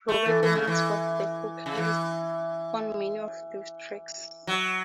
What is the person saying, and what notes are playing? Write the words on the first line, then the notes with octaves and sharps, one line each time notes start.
Robert Owens was the vocalist on many of those tracks.
A3
E3
E3
C#3
E3
C#3
E3
F#3